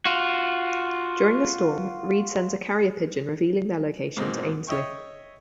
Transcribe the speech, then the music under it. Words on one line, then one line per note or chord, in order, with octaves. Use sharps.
During the storm, Reed sends a carrier pigeon revealing their location to Ainslee.
F4 F#4
G#2 B2 A#3 C4 D#4
C#5 D#5 E5 G5 C#6